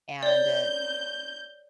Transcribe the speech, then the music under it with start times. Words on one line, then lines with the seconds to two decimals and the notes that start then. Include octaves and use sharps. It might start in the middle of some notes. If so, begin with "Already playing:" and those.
and, uh,
0.23 C#5 D5 G6